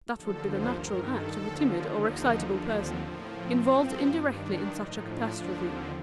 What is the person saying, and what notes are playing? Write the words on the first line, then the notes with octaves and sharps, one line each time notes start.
That would be the natural act of a timid or excitable person involved indirectly in such a catastrophe.
D#2 D3 F3 A4
C5
G2 D#3 A#4
A4
D#2 D3 F3
F4
D#2 D3 F3 D#4
D#2 D3 F3 D4
C4
A2 F3 A#3
C4
G2 F3
G2 D#3 D4
A2 F3 D#4
D4
D#2 D3 F3 D4
C4